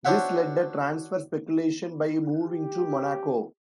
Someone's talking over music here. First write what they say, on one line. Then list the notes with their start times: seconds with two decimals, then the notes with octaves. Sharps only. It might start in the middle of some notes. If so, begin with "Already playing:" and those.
This led a transfer speculation by moving to Monaco.
0.05 D4 F#4 C5 C#5 E5 F#5
2.46 G4